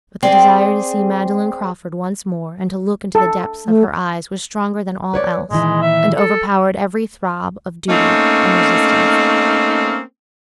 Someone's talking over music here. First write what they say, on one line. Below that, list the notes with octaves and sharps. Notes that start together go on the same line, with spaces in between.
But the desire to see Magdalen Crawford once more and to look into the depths of her eyes was stronger than all else, and overpowered every throb of duty and resistance.
C4 G#4 D5
A4
A3
B4 C#5 D5
A#2 D#3 E3 G#3
E5
A4
A3 A#3 C4 C#4 D#4